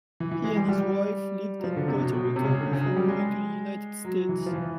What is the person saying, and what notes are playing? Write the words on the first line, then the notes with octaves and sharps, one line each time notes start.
He and his wife lived in Puerto Rico before moving to the United States.
E3
E3
G#3
G3
G3
F#3
F3
D3
C3
B2
B2
C3
C#3
D3
C#3
F#3
G3
G#3
F#3
E3
F3
E3